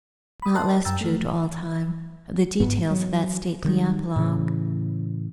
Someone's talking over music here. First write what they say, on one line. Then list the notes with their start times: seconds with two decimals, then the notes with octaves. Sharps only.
Not less true to all time are the details of that stately apologue.
0.42 B5 D#6
0.55 A#4 D#5 A5 C6 F#6
0.85 F#2 G5 A#5 E6 A6
1.01 F3 A3
2.60 G1 G#2 B3
2.90 F#3
3.65 D#3 F#3 G3
4.16 A2 C#3 E3